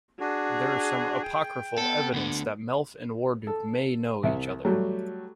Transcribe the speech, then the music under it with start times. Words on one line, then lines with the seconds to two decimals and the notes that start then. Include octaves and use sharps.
There is some apocryphal evidence that Melf and Warduke may know each other.
0.20 D4 F#4 G#4
1.23 G5
1.78 B3 A4
2.14 D2 D3
3.47 A4
4.23 C2 E5
4.65 F#3 G3 A3